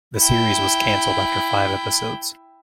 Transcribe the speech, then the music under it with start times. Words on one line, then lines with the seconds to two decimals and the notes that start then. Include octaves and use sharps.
The series was canceled after five episodes.
0.19 E4 G5